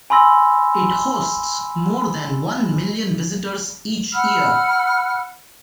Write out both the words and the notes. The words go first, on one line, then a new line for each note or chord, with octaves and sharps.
It hosts more than one million visitors each year.
G#5 B5 C6 E6 A#6
F#5 B5 E6 F6